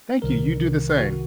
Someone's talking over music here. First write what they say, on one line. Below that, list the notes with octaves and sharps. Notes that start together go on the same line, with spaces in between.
Thank you. You do the same.
C2 C3 D#3 A#4
F#4